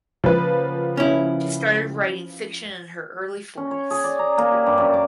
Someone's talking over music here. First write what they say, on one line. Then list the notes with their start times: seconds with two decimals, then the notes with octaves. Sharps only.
She started writing fiction in her early forties.
0.24 C#3 F3 A#3 B4
0.97 C#4 E4
3.58 C#4
3.71 C#5
3.91 G#4
4.04 D5
4.19 A#5
4.38 A#3
4.52 G4
4.66 G2
4.78 F#2
4.94 D6